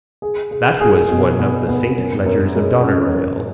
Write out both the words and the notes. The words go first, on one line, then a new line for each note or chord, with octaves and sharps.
That was one of the saint Legers of Doneraile.
G#4
G#4
G#4
B2
B3
B3
F#2
F#2
G#3
C#4
F#2